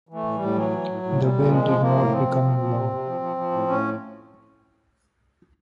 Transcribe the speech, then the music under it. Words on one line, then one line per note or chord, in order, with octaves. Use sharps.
The bill did not become law.
E3 A3
A2
A2 G3
E3 F#3
E3
A2
A2
A#2 G3
A#2
F3 G#3
F3
F3 A#3
A2
F3 C4
F3
F3
F3
C3
C3
F3
F3
F3
A2
A2 C#4